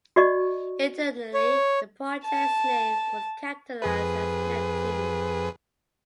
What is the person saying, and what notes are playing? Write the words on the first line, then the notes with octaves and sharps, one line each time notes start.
Internally, the project's name was capitalized as NepTune.
F#4 D5 D#5 C#6
C#5
A5
F2 G#4 B4